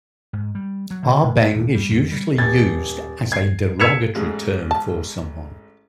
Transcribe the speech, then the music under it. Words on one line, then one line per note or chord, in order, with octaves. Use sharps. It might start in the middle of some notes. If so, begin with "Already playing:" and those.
Ah Beng is usually used as a derogatory term for someone.
G#2
G3
F#3
D3
A2
D#1
G3
F2
G3
D#1 G#6 A6
G#6 C7
E6 G#6 B6 C#7 E7 F7
A1 G#2 G#4
A5